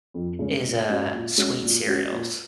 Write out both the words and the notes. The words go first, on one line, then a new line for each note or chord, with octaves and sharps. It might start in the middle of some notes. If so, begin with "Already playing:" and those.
is, uh, sweet cereals.
F2
C#3 G#3 C#4
A#2
G#3 C#4 F#4
A#2
G#3 C#4 F#4
A#2
G#3 C#4 F#4
A#2